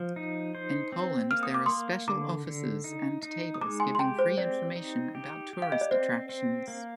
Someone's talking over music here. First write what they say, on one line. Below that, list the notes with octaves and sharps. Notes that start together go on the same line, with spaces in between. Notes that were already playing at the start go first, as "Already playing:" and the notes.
In Poland there are special offices and tables giving free information about tourist attractions.
Already playing: F3
D#4
C5
C4
A#3 F6
D#6
D6
A#3 C6 D#6
D3 A#5 D6
D3
D#4
D#4
D#6
G#3 A#5 D6
G#5 C6
C6
G4 G5 A#5
C5
C4 D5
D#4
G4
G4
F5
D#5
D5
C4 C5
C4
A#3